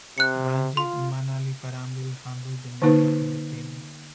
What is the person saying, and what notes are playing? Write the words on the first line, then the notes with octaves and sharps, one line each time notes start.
Ranjit Manaliparambil handled the makeup in the film.
C3 F#6 C#7
F4 C6
D3 A#3 D#4 B4